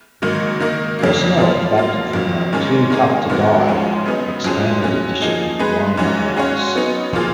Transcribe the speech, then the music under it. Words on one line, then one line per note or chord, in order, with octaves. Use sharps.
Personnel adapted from the "Too Tough to Die" expanded edition liner notes.
G#2 D#3 F#3 A#3 D#4
D#3 A#3 D#4 A#4
F2 C#3 F#3 A#3
F3 B3 F4
F#3 A#3 F4
F2 D#3 F#3
G#2 D#3 G#3 C#4
D#3 A#3 D#4 G#4
G#2 D#3 F#3 B3 F#4
G#2 F3 G#3 C#4
C#3 F#3 B3 D#4
F2 F3 G#3 C#4 F#4
F#3 C#4 F#4
F3 A#3 D#4 G#4
G#3 D#4 G#4 B4
G#2 F#3 C#4 F#4
G#3 C#4 F#4 C#5 F5
F#3 B3 D#4
A#2 F3 A#3 F4 G#4